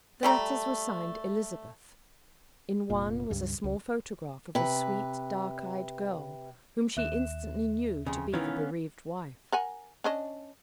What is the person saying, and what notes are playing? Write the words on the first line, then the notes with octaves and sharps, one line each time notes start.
The letters were signed "Elizabeth." In one was a small photograph of a sweet, dark-eyed girl whom she instantly knew to be the bereaved wife.
G3 A3 A#5
F1 A#2
C#2 G2 G3
C#2
C3 B4
D#2 E5 F#6 E7
F2 C#3
D#3 E3 B3 C#4 F5
A#4 F#5 G#5
C#4 D4 D#5